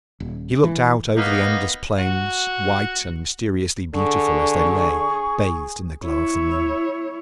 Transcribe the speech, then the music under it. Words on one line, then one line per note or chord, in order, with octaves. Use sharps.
He looked out over the endless plains, white and mysteriously beautiful as they lay bathed in the glow of the moon.
D#1
E3
A#3 B3 D#4
F#4
D3 G#4 C#6
E4 C#5